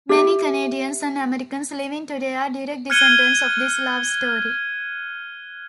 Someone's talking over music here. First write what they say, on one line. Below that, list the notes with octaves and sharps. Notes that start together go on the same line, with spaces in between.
Many Canadians and Americans living today are direct descendants of this love story.
G4 E5
F6 F#6 G#6 C#7 D#7 G7